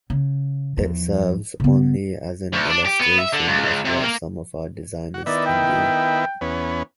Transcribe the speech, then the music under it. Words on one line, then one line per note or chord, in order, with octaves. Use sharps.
It serves only as an illustration of what some of our designers can do.
C#3
E2 F3
C#3 B3
D2
D4
G4
B3
E5
D3
C#2
C#2
C3
A#3
F#4
D#3 B3 E4 D5
G5
E2 B3 C#4